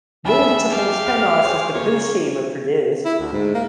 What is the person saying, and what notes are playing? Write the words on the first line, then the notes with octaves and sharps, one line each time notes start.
Multiple spin-offs of the Poo-Chi were produced.
D#2 G#4 E5 B5
G4 F5
F6
G#4 C5 C#5
C#3 A#3 C#4 C#5
E4
D2
G#2
A#3